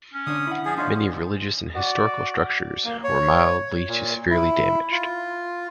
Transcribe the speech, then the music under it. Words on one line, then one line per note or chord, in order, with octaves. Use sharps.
Many religious and historical structures were mildly to severely damaged.
C#4
D3 D4 C#5 D#6
E4 F#5
F3 G#4
D4 D#4 F4 C#5
F#4 D5
A#3
C#5
A#2
E4
F4